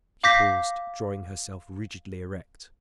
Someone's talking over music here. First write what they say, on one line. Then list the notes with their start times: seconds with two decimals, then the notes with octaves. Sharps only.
She paused, drawing herself rigidly erect.
0.24 F5 D6 G6 A#6 B6